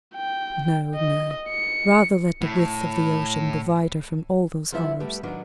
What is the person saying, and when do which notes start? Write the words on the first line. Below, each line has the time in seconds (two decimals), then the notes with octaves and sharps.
No, no! rather let the width of the ocean divide her from all those horrors.
0.15 G5
0.95 D#5
1.49 C#7
2.42 A2
4.72 F3 G3 B3 E4 E5
5.00 G3 A3 B3 G4
5.23 D#3 F#3 B3 D4